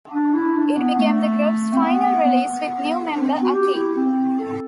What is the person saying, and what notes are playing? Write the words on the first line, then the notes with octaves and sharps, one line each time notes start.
It became the group's final release with new member, Aki.
D4
E4
D4
B3
A3
C4
B3
B3
D4
C4
B3
F#4
G4
E4
C4
A4